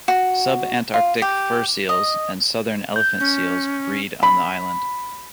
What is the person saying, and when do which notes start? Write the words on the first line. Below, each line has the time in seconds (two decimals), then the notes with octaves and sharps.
Subantarctic fur seals and southern elephant seals breed on the island.
0.08 F#4
0.94 F4
1.22 G4
1.89 D#5
2.96 G6
3.20 C#4
4.23 B5